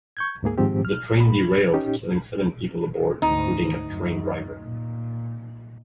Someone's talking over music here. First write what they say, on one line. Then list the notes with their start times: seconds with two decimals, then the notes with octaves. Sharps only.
The train derailed, killing seven people aboard, including the train driver.
0.17 C#6 G6 G#6
0.43 D2 G#2 A#3 G#4
0.58 G#2 D#3 F3 C4 G4
0.85 F6
1.20 B5
1.74 C#4 D#4 G4
3.22 D2 G#2 D#4
3.90 F#2
4.62 A#2